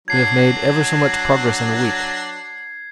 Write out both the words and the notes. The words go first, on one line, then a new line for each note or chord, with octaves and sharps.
We have made ever so much progress in a week.
F#3 D4 G#6 C7